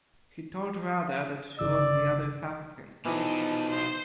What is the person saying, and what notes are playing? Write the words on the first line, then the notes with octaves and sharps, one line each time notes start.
He told Radha that she was the other half of him.
G1 C#3 D5 E6
B2 E3 F3 D#4 A5
C5